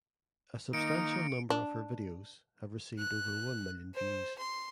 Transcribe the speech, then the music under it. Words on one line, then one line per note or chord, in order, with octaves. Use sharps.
A substantial number of her videos have received over one million views.
D#3 A#3 D#4 C#7 D7
D4
F#6
C5
C6